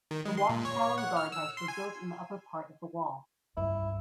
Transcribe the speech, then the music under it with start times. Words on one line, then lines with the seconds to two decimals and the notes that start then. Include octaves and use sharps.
The watchtower and guard house were built in the upper part of the wall.
0.11 D#3
0.25 G#3
0.37 C6
0.49 A#2
0.65 C#5
0.81 C#5
0.98 F#5
1.17 F6
1.32 E6
1.57 C6
1.68 G#5
3.57 C#2 G2 E4